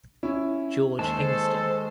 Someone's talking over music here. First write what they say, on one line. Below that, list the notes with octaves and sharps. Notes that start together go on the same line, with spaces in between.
George Hingston.
C#4 E4
D#2 G#3 A4 C5 A5